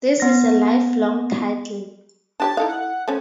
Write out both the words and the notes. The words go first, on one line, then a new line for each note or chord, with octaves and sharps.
This is a lifelong title.
B3 A#6
D4 G4 C#5 A5
D#4 E4 A4 F5
F#5
A3 C4 C#4